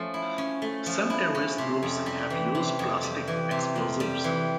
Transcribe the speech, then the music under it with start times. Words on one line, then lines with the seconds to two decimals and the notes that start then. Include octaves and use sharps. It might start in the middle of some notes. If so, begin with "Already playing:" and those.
Some terrorist groups have used plastic explosives.
Already playing: F3 A3 C#4
0.14 E4
0.38 C#4
0.62 A3
0.86 F3
1.10 E4
1.35 C#4
1.58 C3
1.83 F2
2.06 G3
2.30 E3
2.55 C3
2.79 F2
3.03 G3
3.28 E3
3.51 C3
3.76 F2
4.00 G3
4.24 E3